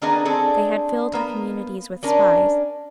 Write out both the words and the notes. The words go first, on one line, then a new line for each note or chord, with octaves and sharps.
They had filled our communities with spies.
D#3 A#3 B3 D4 G#4 D#5
C4 D4 G#4 A4
A#3 B3
C#4 D4 A#4